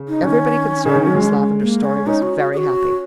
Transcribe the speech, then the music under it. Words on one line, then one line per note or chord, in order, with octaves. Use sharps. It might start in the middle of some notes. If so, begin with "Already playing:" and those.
Everybody concerned in Miss Lavendar's story was very happy.
Already playing: C#3
D#4
D#3 C#4
C#3
D#3
F#3
G#3
A#3
C#4
C#4 D#4
F#4
F#4
G#4
F#4